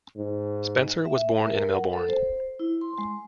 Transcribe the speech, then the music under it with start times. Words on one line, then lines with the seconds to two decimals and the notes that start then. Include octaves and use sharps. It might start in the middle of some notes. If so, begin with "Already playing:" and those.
Spencer was born in Melbourne.
0.17 G#2
1.05 E5
1.47 A#4
1.72 F#5
1.93 A4
2.09 C5
2.59 E4
2.81 C6
2.98 G#3